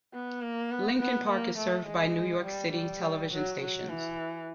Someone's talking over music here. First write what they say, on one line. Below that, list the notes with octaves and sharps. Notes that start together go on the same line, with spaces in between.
Lincoln Park is served by New York City television stations.
B3
A#3
B3
B3
A#3
A3
G#3
G3
G3
F#3
F#3
E3